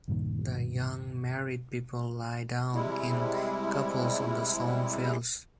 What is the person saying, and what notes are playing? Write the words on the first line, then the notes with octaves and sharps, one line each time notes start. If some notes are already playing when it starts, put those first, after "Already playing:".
The young married people lie down in couples on the sown fields.
C#2 G2 A#2 D#3
C3 G3 G#3 E4